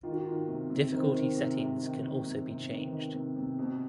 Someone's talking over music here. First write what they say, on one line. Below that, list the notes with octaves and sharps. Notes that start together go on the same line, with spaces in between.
Difficulty settings can also be changed.
D#3 F4
F#4
D#3 F4
C3
C3
D#3 C4
D#3
C3
C3
D#3
D#3
C3
C3
D#3 B3
D#3
C3
C3
B2